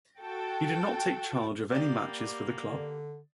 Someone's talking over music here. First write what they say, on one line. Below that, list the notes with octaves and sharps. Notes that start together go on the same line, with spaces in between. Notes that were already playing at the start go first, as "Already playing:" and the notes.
He did not take charge of any matches for the club.
F#4 A4 G5
A#3 B3 G4 D5
D3